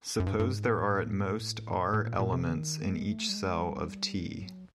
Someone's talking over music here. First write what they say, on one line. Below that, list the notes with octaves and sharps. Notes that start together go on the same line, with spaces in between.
Suppose there are at most "R" elements in each cell of "T".
F#2
G2
G2
G#2
A2
A#2
A2
A#2
A#2
C3
D3
D#3
G#3
A3
G3
G#3
G3
F#3